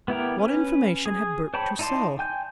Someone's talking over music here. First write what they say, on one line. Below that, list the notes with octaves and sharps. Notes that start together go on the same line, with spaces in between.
What information had Burke to sell?
B3 E4 G4 A#4
C#4 B4
G#4
C5 C#5 G5 A5 B5
D#4 E4 D5 A5 C6
G5 G#5 G6